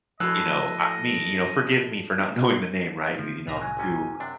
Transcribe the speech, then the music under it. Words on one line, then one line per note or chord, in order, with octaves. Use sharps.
you know, uh me you know, forgive me for not knowing the name, right? You you know, I'm too
A2 F3 F#4 D#5 E6 F#6
D3 F3 A3
C2 A2 F4 E5 A#5
F#3 G#3 A#3 G#5
G#1 C3 C#4
F#2 C3 D4